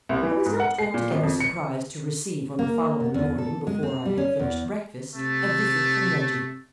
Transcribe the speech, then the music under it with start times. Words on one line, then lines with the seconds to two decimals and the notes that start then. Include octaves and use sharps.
I was not altogether surprised to receive, on the following morning before I had finished breakfast, a visit from Reggie.
0.09 C2
0.23 E3
0.46 G#2
0.60 F#5
0.79 C7
0.94 A#2
1.11 G#1
1.23 F2
1.40 C#7
2.59 A#3
3.00 B2
3.14 E2
3.38 A4
3.67 G#3
3.83 C4
4.05 G3
4.18 C#4
4.39 E2
5.15 C3 A3